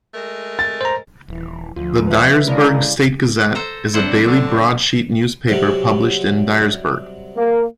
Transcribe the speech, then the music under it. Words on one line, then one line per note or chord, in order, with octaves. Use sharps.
The "Dyersburg State Gazette" is a daily broadsheet newspaper published in Dyersburg.
G#3 A3 A#4
A6
C5 A#5
D#1 E3
D2 F3 F4
B4 E5
D3 G#3 C#4 E4 A#4 D5 F5
A4 C5 A#5
F#3 C4 D4 E4 C5 F#5
D3
C3 F#3 G3
A#3